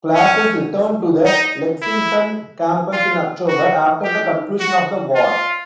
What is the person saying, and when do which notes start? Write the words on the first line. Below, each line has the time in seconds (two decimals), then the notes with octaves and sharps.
Classes returned to the Lexington campus in October, after the conclusion of the war.
0.15 C#4
1.26 D#4
1.82 E4
2.93 F4
3.48 F#4
4.04 G4
4.60 F#4
5.15 F4